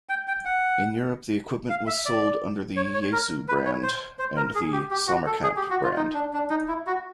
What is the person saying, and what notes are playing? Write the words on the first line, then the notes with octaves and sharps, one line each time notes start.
In Europe the equipment was sold under the Yaesu brand and the Sommerkamp brand.
G5
G5
F#5
F5
E5
D5
C#5
C#5
A#4
B4
C#5
C5
C5
A#4
G#4
G4
G4
F#4
A4
G#4
G4
F#4
F4
D#4
D4
D4
D#4
E4
F#4